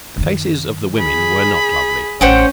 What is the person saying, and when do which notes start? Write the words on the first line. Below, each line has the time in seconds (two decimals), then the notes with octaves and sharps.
The faces of the women were not lovely.
0.18 F#2 D#3
0.99 G#4 B5
2.21 A1 C#4 C5 F#5 G5